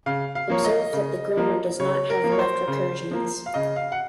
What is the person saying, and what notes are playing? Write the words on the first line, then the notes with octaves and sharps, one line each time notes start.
Observe that the grammar does not have left recursions.
C#3 F5
F5
F3 A#3 C#5
D#5
C#3
F3 A#3
C#3 C#5
A#4
F3 A#3
C#5
C5
C#3
F3 A#3
F5
C#3 D#5
F5
F#5